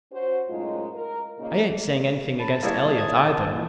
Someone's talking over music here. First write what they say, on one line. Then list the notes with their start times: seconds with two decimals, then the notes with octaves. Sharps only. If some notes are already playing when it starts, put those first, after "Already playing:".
I ain't saying anything against Elliott, either.
0.12 C#4 F#4 C5
0.48 F#2 A2 G#3 D#4 F4
0.93 A#4
1.37 A#2 C#3 A#3 D#4
2.40 A5 B5
2.63 G3 A#3 E4 G#4 C#5 E5
2.99 G#6
3.51 A#2 E3